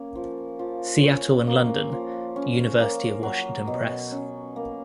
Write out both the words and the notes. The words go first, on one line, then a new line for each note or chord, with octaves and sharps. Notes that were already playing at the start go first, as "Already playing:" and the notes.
Seattle and London: University of Washington Press.
Already playing: A#3 C#4
F3
F3
C#4
A#3
F3
C#4
A#3
F#3
B2
C#4
A#3